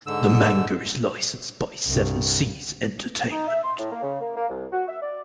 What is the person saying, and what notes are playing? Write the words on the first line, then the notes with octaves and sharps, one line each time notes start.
The manga is licensed by Seven Seas Entertainment.
G#2 D3 E6
C2 G2
D#4
E5
C6
A2
A#3
C#3
A#3
A#3
C2
F#4
E5
D5